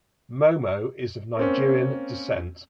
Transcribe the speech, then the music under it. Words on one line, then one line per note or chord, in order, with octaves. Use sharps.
Momoh is of Nigerian descent.
A#3 C4 C#4